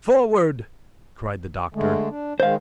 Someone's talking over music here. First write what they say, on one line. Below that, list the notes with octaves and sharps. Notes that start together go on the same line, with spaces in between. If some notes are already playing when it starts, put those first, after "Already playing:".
"Forward!" cried the doctor.
D3 G#3 A3
D4
D#3 G#3 C5 F5